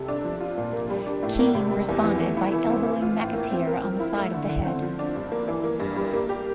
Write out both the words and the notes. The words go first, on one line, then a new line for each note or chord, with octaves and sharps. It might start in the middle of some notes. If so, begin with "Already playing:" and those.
Keane responded by elbowing McAteer on the side of the head.
Already playing: C3 G3 A4
D4
F3
F4
A#2
A#3
G3
D4
A2
A#3
C3
G3
E2
E3
A3
E4
E3
C4
E3
F4
A2
A#3
C4
A#4
F3
E4
A3
D3
D3
C4
F3
D4
G2
A#3
E3
A#3
G2
G3
A#3
G4